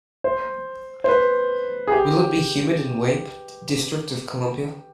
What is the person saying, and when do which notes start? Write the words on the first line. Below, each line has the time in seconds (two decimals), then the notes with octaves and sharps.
Will it be humid in Weippe District Of Columbia?
0.24 C5
1.04 C5
1.09 B4
1.87 G#4
1.92 G4